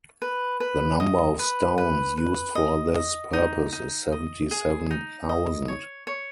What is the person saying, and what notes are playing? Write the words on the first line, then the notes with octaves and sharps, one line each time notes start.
The number of stones used for this purpose is seventy-seven thousand.
B4
B4
D#5
B4
B4
B4
D#5
D#5
D#4
D#4
D#5
G#4
D#4
D#5
C#5
C#5